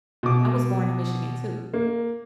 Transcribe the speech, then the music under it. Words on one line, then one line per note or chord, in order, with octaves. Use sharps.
I was born in Michigan too.
B2 D6
A#3